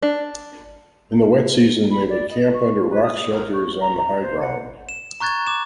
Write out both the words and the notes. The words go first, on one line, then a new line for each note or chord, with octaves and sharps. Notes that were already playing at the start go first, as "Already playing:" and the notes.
In the wet season, they would camp under rock shelters on the high ground.
D4
B5
D5
D#5
C#6
B4
D#6
A#4
C#6
A#5
A#5
C5
F#5
E7
A#5 C#6 F#6 G#6 A6
D6 E7